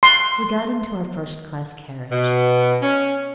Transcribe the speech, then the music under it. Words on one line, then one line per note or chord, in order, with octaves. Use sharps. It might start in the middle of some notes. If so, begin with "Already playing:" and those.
We got into our first-class carriage.
C6
B2
C#4